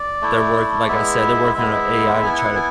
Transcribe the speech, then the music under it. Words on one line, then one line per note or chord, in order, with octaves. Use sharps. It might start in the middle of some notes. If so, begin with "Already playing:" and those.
their work like I said, they're working on AI to try to
Already playing: D5
A3 E4
G#3 B3 E4 E5
G#3 B3 E4 E5
B3 E4 G#5
F#5
G#5